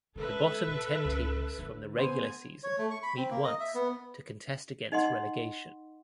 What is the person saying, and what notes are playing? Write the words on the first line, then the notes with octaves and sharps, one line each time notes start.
The bottom ten teams from the regular season meet once to contest against relegation.
C#3 G#3 A4 B4 E5
A#2
C#2
D3
B3 C5 G#5
C#5
A3
C#6
B5
C4
A#3
D#5
E5
B3
D#4 D#5 F#5 C6